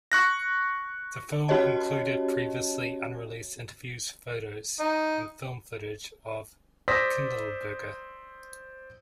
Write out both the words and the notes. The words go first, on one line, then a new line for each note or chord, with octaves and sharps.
The film included previously unreleased interviews, photos, and film footage of Kindelberger.
C#6 F#6 A#6
C#4 F#4 G4 C#5 D#5 A5
D#4
C5 D5 D#6 E6 A#6 B6